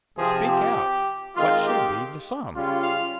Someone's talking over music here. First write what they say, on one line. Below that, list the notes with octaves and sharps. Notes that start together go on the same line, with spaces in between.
But speak out--what shall be the sum?'
C3 F3 C4 F4 G#4
G4
D#3 G#3 C4 F4
G4
C#3 G3 C#4 F4
F5